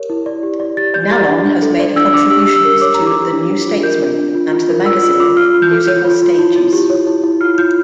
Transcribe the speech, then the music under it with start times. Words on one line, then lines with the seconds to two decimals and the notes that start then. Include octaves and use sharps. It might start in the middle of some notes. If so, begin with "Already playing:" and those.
Nallon has made contributions to "The New Statesman" and the magazine "Musical Stages".
Already playing: G4 A#4 C#5
0.10 E4
0.26 D5
0.43 G4
0.60 D5
0.77 G4 A6
0.94 D5 G6
1.11 G4 A6
1.29 D4
1.45 D4
1.62 A4
1.79 D5
1.96 D4 E6
2.14 D4 D6
2.30 G4 E6
2.47 G4
2.56 E6
2.65 A#4
2.81 C#5 D6
2.94 G4 A#5
3.07 D6
3.15 G4
3.32 D4
3.49 D4
3.66 F4
3.83 A#4 G6
4.01 D4
4.18 D4
4.34 F4
4.52 F4
4.69 A#4
4.86 D5 E6
5.02 F4 E6
5.20 F4 D6
5.37 F4 F6
5.53 F4
5.62 G6
5.71 A4
5.87 C#5 G6
6.05 F4
6.22 F4
6.39 E4
6.56 E4
6.73 G4
6.90 C#5
7.07 E4
7.24 E4
7.41 F4 F6
7.58 F4 G6